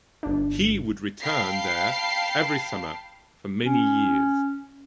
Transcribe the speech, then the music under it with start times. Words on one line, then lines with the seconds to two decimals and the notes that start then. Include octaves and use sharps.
He would return there every summer for many years.
0.23 G1 D4
1.22 F5 G5 A5 B5 C7
3.64 C#4